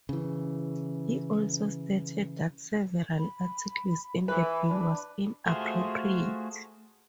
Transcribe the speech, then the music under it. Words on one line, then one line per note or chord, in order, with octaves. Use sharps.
He also stated that several articles in the bill was inappropriate.
C#3 E3
B5
E3 B4 B5
D4
A3 F4 F#4 G#4 C5